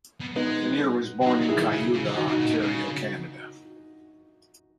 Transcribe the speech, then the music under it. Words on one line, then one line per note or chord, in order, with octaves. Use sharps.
Kinnear was born in Cayuga, Ontario, Canada.
B2
G#3 B3 D#4
F#3
G#3 D#4 F#4
F#3
E4 G#4
D#3
C#3
C#3
E3
D#3 D#4 F#4
C#3
D#4 F#4
A#2
B2
C#3